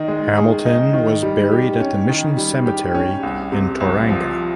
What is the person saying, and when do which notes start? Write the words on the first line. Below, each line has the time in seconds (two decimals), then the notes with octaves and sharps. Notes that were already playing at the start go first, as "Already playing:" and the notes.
Hamilton was buried at the Mission Cemetery in Tauranga.
Already playing: D#3 D#4
0.08 G#3
0.37 G#4
0.65 D#4
0.94 D#3
1.23 G3
1.51 G4
1.80 C#4
2.09 D#3
2.37 G3
2.66 G4
2.94 C#4
3.23 C2
3.52 C3
3.80 C2
4.09 F3